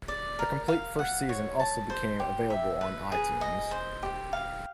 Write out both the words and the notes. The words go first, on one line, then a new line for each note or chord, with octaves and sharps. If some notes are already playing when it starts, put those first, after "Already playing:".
The complete first season also became available on iTunes.
D5
A#4
F5
F#5
C#5
A5
C5
G4
E5
B4
G#4
D#5
C5
G4
F5